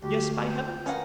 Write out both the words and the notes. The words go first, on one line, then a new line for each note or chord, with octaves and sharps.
Yes, by heavens!
D2 G4
G5
B3 C#4 A#4 F5 F#5